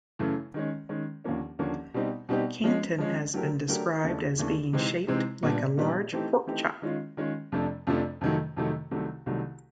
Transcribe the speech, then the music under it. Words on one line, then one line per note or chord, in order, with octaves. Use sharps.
Kanton has been described as being shaped like a large pork chop.
F#2 C#3 E3 A3
D#3 G#3 C#4
D#3 G#3 C#4
D#2 D3 F3 A#3 C#4
D#2 D3 F3 A#3 C#4
B2 G3 C4 D#4 G4
B2 G3 C4 D#4 G4
F3 G#3 C#4
F3 G#3 C#4
F#3 A3 D4 G4 A#4
F#3 A3 D4 G4 A#4
D#2 C#3 E3 A3 D4
D#2 C#3 E3 A3 D4
C3 E3 G#3 C4 D#4
C3 E3 G#3 C4 D#4
A#2 G3 B3 D4
A#2 G3 B3 D4
E3 A3 C4 D#4 G4
E3 A3 C4 D#4 G4
D#3 G#3 C#4 F4
D#3 G#3 C#4 F4
F2 C3 F3 A3 D4
F2 C3 F3 A3 D4
F2 C3 D#3 F#3 A3
F2 C3 D#3 F#3 A3
C2 C3 D#3 F#3 A3
C2 C3 D#3 F#3 A3